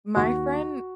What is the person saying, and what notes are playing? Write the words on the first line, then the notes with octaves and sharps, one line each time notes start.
My friend,
D#2 F#4